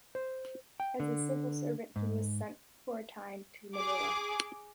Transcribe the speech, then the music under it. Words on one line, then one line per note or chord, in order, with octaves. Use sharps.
As a civil servant, he was sent for a time to Manila.
C5
G5
D3
G#2
G#4 D6